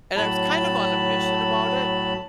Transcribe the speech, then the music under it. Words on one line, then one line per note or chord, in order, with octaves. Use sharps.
And I was kind of on a mission about it,
A2 F#3 A5 B5